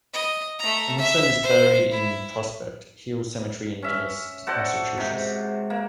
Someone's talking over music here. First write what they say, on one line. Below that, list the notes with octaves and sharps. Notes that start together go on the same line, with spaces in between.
Emerson is buried in Prospect Hill Cemetery in Millis, Massachusetts.
D#5
A3 A#5
E5
C5
E4
C#4 E5
F#4 A4 C5 D5
G#2 C3
A#3